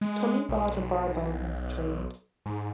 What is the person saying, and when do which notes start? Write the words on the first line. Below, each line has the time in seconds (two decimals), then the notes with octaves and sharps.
Tommy bought a barbell and trained.
0.01 G#3
0.49 B1
2.46 G#2